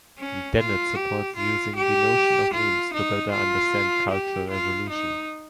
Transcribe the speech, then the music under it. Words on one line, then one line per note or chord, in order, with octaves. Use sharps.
Dennett supports using the notion of memes to better understand cultural evolution.
C#4
F4
G4
F4
G4
F4
D#4
F4
G4
F4
D#4